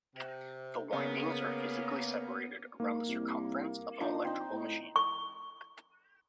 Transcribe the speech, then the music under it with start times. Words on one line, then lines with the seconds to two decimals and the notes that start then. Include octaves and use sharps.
The windings are physically separated around the circumference of an electrical machine.
0.16 C3
0.93 C#3 A#3 B3 C#5
2.80 G#2 A#3
3.08 C2
4.00 A#1 F3 D4 D#4
4.25 C4 D#4
4.52 A2
4.96 C#6